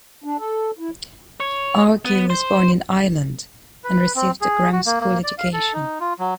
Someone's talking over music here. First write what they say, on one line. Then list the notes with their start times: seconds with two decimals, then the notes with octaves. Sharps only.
Argue was born in Ireland, and received a grammar school education.
0.24 D4
0.39 A4
0.79 E4
1.40 C#5
2.05 B3
2.30 C5
3.84 B4
4.15 C4
4.41 G#4
4.72 F#4
4.86 A#3
5.01 A#3
5.23 D5
5.38 F5
5.53 A4
5.73 D#4
6.00 F4
6.19 F#3